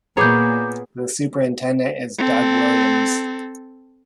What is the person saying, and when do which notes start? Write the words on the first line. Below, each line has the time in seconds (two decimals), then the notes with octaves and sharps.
The Superintendent is Doug Williams.
0.17 A#2 B3 G#4 C#5 A#5 D6 G6
2.18 C4 A4